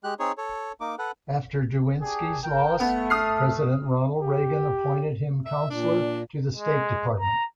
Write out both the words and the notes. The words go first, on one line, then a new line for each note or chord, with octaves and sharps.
After Derwinski's loss, President Ronald Reagan appointed him Counselor to the State Department.
G#3 G4 F#6
C4 D#4 G#4 C#5
A4 C#5
A#3 D#4 D6
A4 B4 F#5
D4 G4 G#4
A#4 G5
A3 B3
D#6 F6 C7
G4
E5
A#2 D4
G#3
A#5